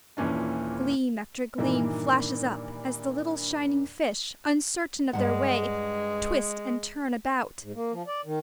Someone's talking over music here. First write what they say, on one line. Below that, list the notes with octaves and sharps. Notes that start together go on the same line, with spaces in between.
Gleam after gleam flashes up as the little shining fish, uncertain of their way, twist and turn about.
D#1 A#2 E3 C#4 D4
G2 A#2 D#3 E3 A#3 D4
G2 D#3 G#3 F#5
G#2
A#3
F3
D5
D#3